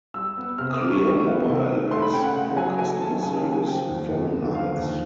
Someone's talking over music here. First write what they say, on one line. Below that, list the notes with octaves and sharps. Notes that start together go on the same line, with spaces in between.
Clear Mobile has no customer service phone lines.
G3 E6
B3
C3 F6
D#6
D#3 D6
C#6
G3 C#6
B3
C3
D#3
A3 C6
B5
C#4 G5
F#5
C#3 F#5
F#3 G#5
A3 G#5
C#4 A5
C#3 G#5
A5
F#3
G#5
F3 G5
D#2
D#2
D3
F3 F5
D#2